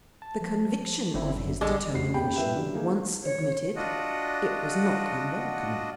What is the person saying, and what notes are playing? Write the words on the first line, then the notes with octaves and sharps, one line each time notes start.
The conviction of his determination once admitted, it was not unwelcome.
A5
F3
G1 D3 C4 E4
F#2 D3
A1 D3 G3 G#3
F1 F#4 C7
F1 D#2 C#3 G#4 G5 B5
G2 E4 B4 E5 G5 E7
D3 F#3 G3
A#3 D#4 G#4 A#4
C#5
D4 F4 F#4 D#5 F#5